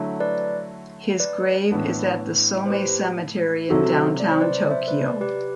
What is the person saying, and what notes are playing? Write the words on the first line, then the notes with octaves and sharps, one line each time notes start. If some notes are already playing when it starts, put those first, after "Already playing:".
His grave is at the Somei Cemetery in downtown Tokyo.
Already playing: D3 F#3 A3 E4
B4 D5
B4 D5
A2 E3 B3 D4
C5
G4 B4
C3 F#3 C4 E4 F#4 A4
D5
C5
B4 D5
C5 E5
B4 D5
B4 D5
G4 B4